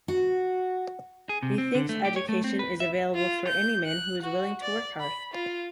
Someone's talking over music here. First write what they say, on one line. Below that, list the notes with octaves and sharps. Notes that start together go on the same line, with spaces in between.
He thinks education is available for any man who is willing to work hard.
F#4
G#4
C3
C4
D3
A3
G4
C#5
A3
C4
B4
E5
F4
G6
F#6
F#4
D5
B5
F4